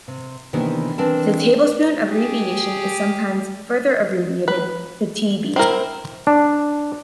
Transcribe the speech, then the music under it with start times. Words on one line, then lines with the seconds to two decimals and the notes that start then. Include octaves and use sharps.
The tablespoon abbreviation is sometimes further abbreviated to Tb.
0.08 C3
0.53 C3 D#3 E3 A#3 B3 D4
0.98 E3 C4 D4 A#4 A5
2.09 G4 G#4
4.48 B4
5.56 C4 E4 A#4
6.27 D4